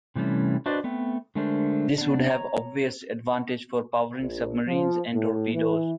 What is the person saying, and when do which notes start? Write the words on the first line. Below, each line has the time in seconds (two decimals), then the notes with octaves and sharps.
This would have obvious advantages for powering submarines and torpedoes.
0.16 C3 E3 G3 A3 C#4
0.66 D4 F#4 B4 C5 D5 D#5
0.84 A3 B3 C4
1.35 D3 G#3 A3 D4 A#4 C5
1.98 B3 D4
2.29 C#5 A#5
4.21 A#1
4.66 F3
5.12 A2
5.53 E3